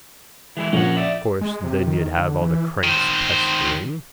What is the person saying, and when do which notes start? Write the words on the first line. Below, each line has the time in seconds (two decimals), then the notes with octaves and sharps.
Course then you'd have all the cranks pestering.
0.57 E3 G#3 E4
0.73 A#1 C#4 A#4 F#5
0.97 D5 E5
1.41 G#3
1.64 C3
1.87 D#3
2.17 D3
2.42 E3
2.84 D#3 C5